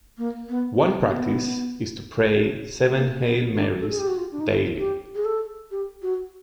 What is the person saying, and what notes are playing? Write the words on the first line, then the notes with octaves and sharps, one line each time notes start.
One practice is to pray seven Hail Marys daily.
A#3
B3
C4
A#3
B3
A#3
B3
D4
A4
G#4
G4
F#4
F4
D4
D#4
E4
G4
G#4
A4
G4
F#4